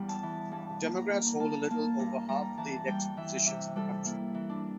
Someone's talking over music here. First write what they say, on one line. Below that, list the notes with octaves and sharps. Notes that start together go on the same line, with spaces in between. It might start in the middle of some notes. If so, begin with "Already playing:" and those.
Democrats hold a little over half of the elected positions in the county.
Already playing: E2 G3 G5
A5
E3
G2 A5
A#3
A#5
A#3
A#3 A5
A#3 A5
G2 A#5
G3 A#5
E3 A5
G3 G5
E3 E5
C3 E5
G3 A4
A#3 E4
E3
D4